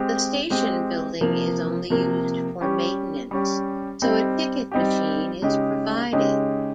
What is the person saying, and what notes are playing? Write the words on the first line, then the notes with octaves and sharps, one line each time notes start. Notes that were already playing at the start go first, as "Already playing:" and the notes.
The station building is only used for maintenance so a ticket machine is provided.
Already playing: G#3 C4 G4
G#3 C4 G4
C3 F3 A#3
C3 F3 A#3
G3 C#4 G4
G3 C#4 G4
G3 C4 D#4 G4
G3 C4 D#4 G4
C#3 G#3 D#4 G4
C#3 G#3 D#4 G4